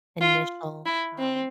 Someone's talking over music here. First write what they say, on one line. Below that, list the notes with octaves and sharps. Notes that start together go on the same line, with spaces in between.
initial, um,
F4
E4
C4